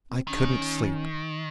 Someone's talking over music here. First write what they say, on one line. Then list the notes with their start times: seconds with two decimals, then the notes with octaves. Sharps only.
I couldn't sleep.
0.10 C4
0.27 D#3 C#4
0.36 D4
0.46 C#4